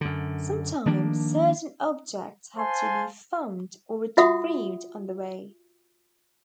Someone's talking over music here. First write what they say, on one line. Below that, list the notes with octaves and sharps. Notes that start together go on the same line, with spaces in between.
Sometimes certain objects have to be found or retrieved on the way.
F#2 D3
D#3 F3 A#3 D4
C5 F5 G#5 A5 C6
F4 F#4 E5 F#5 D#6